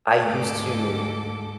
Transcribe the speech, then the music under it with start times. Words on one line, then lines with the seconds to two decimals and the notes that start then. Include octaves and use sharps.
I used to
0.24 D2 G#2 A4 D6